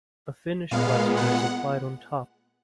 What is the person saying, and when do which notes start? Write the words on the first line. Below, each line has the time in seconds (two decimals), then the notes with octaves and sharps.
A finish plaster is applied on top.
0.71 A#2 G#3 B3 F5
1.17 F#5